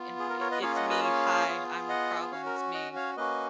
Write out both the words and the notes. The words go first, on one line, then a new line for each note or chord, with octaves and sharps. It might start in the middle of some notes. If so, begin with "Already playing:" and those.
you know, "I it's me, hi, I'm the problem, it's me."
Already playing: B3 F4
G#4
A#4
A#4 C#5
B4 D#5
A#3 C#4 F4 G#4 C#5 F5
D#5 F#5
B4 D#5
C#5 F5
B3 F4 G#4
D#5 F#5
C#4 F#4 C#5 F5
A#4
D#5 F#5
C#5 F5
A#3 C#4 F#4 B4 D#5